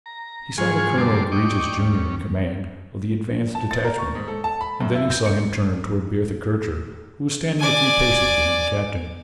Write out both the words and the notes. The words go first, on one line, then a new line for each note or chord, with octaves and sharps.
He saw the colonel greet his junior in command of the advance detachment, and then he saw him turn toward Bertha Kircher who was standing a few paces behind the captain.
A#5
G#2 G#3 F4 G#4 G#5 C#6
F#2 D3 G3 A5 C6 D6
D5 D#5 G5 C#6 D6
D#2 C#4
A5
A6
A#4
C#6
G#2
A4
A5
B5
F#2
E4
G6
C#7
D5 G#5